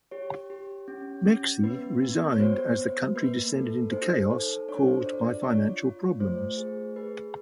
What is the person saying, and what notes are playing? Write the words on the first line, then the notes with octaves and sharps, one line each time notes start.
Meksi resigned as the country descended into chaos caused by financial problems.
G4 C#5
G4
C#4
C#4
B3 B4
B3
C#5
F#4 C5
B3
A#3 B4
A4
D#4 C5
A4
D4 C#5
C5
F4 D5
D5
F4 C#5
F4
A3 C5
G#4
G#4 B4